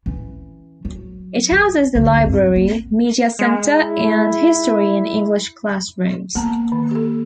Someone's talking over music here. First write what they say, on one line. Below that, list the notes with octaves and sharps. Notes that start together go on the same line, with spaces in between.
It houses the library, media center and history and English classrooms.
E3 C#4
F#3
E3
D2
G2 C4
A#3 B3
G#3
E4
A#3 B3 A5 A#5
D#3
G4 A4